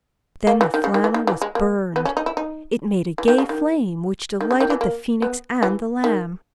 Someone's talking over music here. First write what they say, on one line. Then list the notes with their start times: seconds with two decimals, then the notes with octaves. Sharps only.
Then the flannel was burned. It made a gay flame, which delighted the Phoenix and the Lamb.
0.47 A#3
0.61 E3
0.74 D#3
0.84 C#3
0.94 D#3
1.04 E3
1.14 D#3
1.27 E3
1.42 G#3
1.55 A#3
1.96 B3
2.05 C#4
2.17 D#4
2.26 E4
2.37 D#4
3.18 E3
3.28 D#3
3.38 C#3
3.49 D#3
4.41 D#3
4.51 C#3
4.60 D#3
4.70 E3
4.81 A#3
5.22 B3
5.63 E3
6.04 D#3